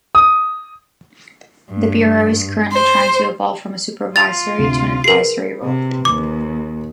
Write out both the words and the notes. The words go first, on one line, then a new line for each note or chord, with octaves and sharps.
The Bureau is currently trying to evolve from a supervisory to an advisory role.
D#6
G2
C5
F4 A6 F7
D2 C3
G#4 A#4 B4 C7
C3
D#2 D6